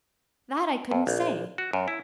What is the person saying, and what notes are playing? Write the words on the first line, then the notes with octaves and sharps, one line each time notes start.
"That I couldn't say."
F2
A#1
F#4
F#2
E4